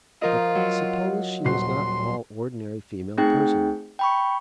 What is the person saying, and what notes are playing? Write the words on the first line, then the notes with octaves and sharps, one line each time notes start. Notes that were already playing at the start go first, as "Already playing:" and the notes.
But suppose she was not all ordinary female person....
F3 F4 A#4 D#5
F#3
D#1 F#4 C6 C7
A3 C4 D#4 G#4 G5
G5 B5 C#6